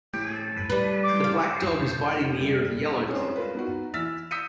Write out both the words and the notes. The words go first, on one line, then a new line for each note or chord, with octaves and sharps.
The black dog is biting the ear of the yellow dog.
G3 B4
D6
F5
G3 A3
C4 C#4 G#4
F4 A#4 B4
B3 D#4 F#4
E3 E6 F6 A6 B6
D#6 E6 G6 B6 C#7 D#7